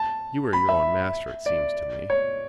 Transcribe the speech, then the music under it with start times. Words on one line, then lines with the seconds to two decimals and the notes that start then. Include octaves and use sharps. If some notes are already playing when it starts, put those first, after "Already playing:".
You are your own master, it seems to me.
Already playing: A5
0.53 B5
0.69 E5
1.46 D5
2.10 C#5